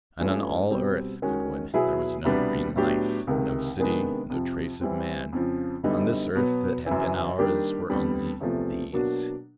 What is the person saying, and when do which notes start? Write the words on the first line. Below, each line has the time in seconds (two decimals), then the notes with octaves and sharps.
And on all Earth, Goodwin, there was no green life, no city, no trace of man. On this Earth that had been ours were only--These.
0.19 G2 E3 A3 C#4 F4
0.71 B2 G3 C4
1.22 D#3 G#3 C#4 F#4
1.74 B2 F#3 B3 E4 G#4
2.25 C2 B2 G3 B3 D4
2.76 A2 F#3 B3 D4 G4
3.27 C#2 C3 D#3
3.78 C3 D#3 G#3 B3 D4
4.30 F2 C3 F3
4.81 E3 G3 C4
5.33 F2 C#3 F3
5.83 F#2 D3 G3 B3 D#4
6.35 B2 F#3 B3
6.86 F#2 C#3 E3
7.38 D#3 G3 A#3 D4 G4
7.89 F2 D3 G3 B3
8.40 E2 C3 F3 A3
8.92 B2 F#3 A#3 D4 F#4